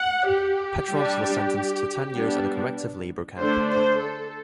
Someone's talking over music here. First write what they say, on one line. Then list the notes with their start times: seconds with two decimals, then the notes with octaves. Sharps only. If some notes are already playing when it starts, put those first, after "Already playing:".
Petrovs was sentenced to ten years in a corrective labor camp.
Already playing: F#5
0.27 G4
0.89 G3 D4
2.13 G3 B3 D4
3.38 D3 A3 D4 C5
3.69 C5
4.00 A4